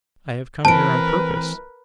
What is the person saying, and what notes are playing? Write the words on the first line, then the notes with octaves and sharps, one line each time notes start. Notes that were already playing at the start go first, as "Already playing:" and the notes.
I have come here on purpose.
E3 A3 C4 A#4 B4 A5 D7